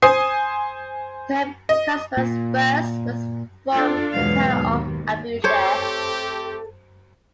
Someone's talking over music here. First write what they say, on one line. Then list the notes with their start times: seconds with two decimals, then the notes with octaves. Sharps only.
Pope Cosmas I was from the town of Abu-Sair.
0.02 C5 G#5 D#6 C7
1.69 D#5
2.17 A#2
3.73 D4 F4 A4
4.13 E2 G#2 B2 F#3 B3 F5
4.56 D#2
5.44 A3 C4 G4 A4 C5 C#5